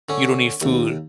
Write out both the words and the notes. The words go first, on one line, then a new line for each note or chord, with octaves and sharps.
You don't need food,
D3 C#4
D#2